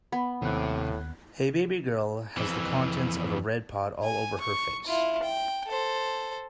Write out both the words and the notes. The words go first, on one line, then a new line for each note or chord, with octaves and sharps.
A baby girl has the contents of a red pot all over her face.
B3 B5
D#2 A2 C3 F#6
F2 E3
G#5
C#6
E4 F4
G5
A4 C5